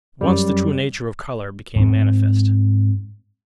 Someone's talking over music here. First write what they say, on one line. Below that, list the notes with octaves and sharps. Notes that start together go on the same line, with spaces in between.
At once the true nature of colour became manifest.
F#2 G3
G#2 C4